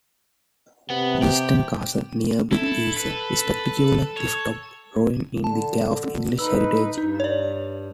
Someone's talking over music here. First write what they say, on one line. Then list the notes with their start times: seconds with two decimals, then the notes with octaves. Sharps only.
Beeston Castle nearby is a spectacular clifftop ruin in the care of English Heritage.
0.90 C3 B3
1.22 G4
2.51 E4 A4
2.98 B4
4.17 C#5
5.44 D3 A5
6.39 D#4 B4 E6
6.98 G2 D#4
7.20 C#5 D5